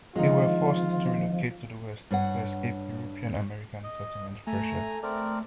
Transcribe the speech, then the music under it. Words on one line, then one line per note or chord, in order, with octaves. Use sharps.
They were forced to relocate to the west to escape European-American settlement pressure.
D3 D#3 F3 G#3 C4 D#4 F4
G2 C#5 F#5
D#5
A3 G#5 A#5
A3 C4 A#4 D5